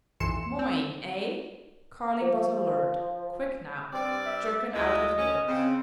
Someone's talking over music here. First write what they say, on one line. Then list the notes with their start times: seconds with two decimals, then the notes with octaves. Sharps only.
"Moyne, eh?" Carling was alert, quick now, jerking out his words.
0.20 B1 F2 E3 C6 C#7 E7
0.59 C4
2.22 F3
3.93 G2 C4 D5
4.26 E5
4.74 D2 G#3 E4 F4 D#5
5.18 C#4
5.48 C#3 C4